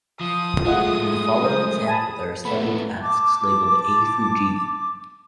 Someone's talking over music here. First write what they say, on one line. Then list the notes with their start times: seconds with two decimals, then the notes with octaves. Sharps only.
In the following example there are seven tasks, labeled "A" through "G".
0.21 F3 D#6
0.65 G#3 A3 F4 D#5 F#5
1.44 A#4 C5
1.87 G#5 A5 B5
2.45 A3 B3 B5
3.02 A5 D6